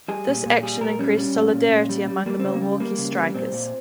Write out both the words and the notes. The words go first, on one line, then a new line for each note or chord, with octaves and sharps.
This action increased solidarity among the Milwaukee strikers.
G3 G#4
A#2
A#2
G3 G#4
A#2 A#4
G3 C#4
G3 C#4
A#2
A#2
A#2
G3
G3
G3 A#3
C#3 C4
A#3
G3
G3 A#3
C#3
G3
A#2 C4
A#2